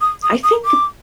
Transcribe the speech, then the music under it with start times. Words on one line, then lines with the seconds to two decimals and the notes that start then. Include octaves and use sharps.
I think,
0.01 D#6
0.23 D#6
0.44 D#6
0.65 D6